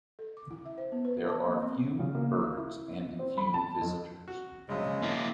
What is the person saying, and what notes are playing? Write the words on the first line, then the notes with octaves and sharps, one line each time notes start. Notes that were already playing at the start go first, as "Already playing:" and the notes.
There are few birds, and few visitors.
A4
D6
E4
E5
C5
B3
B4
A5
A#3
C4
C#3
A#3
E4
C4
B5
A5
F2
F#4
A#1 F#2 C#3 G#3
G#1 A#3 E4 F5